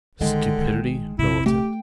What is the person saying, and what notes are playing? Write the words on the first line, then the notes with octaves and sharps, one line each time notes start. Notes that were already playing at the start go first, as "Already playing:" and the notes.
Stupidity militant.
A1 D3 D#3 G#3 G5
A#1 C3 E4
A3 G4 G5